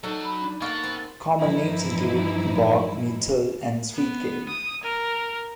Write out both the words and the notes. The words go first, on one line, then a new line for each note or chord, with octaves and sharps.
Common names include bog-myrtle and sweetgale.
F#3 D#4 F#4 A4
B5
D4
A#3 B3 A4 A#4 F5 F#5 C#6 A6
C4
G2 E3 F3 D#4 E4
B3
D#6
A#4